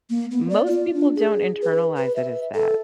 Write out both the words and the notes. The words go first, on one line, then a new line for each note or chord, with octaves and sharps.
most people don't internalize it as that.
A#3
B3
D5
F4
D4
G#4
B4
B4
E5
A4